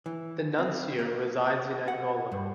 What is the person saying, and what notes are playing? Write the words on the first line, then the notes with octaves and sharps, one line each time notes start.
The nuncio resides in Angola.
E3
C4
A#3
F#5
G2